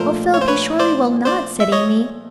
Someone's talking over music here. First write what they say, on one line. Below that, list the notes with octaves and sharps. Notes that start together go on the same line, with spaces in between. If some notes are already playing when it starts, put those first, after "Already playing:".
'O Philip, you surely will not?' said Amy.
Already playing: A#2 F3 A3 A#4 C5
C#5
C5
B4 C#5
C5 D5
C5 D5
E5
C#5 D#5